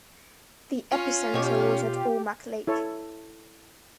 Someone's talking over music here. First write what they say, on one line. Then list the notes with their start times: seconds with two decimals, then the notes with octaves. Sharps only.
The epicenter was at Omak Lake.
0.92 C#4 F4
1.34 B2 G4 C#5
2.67 E4 A4 C#5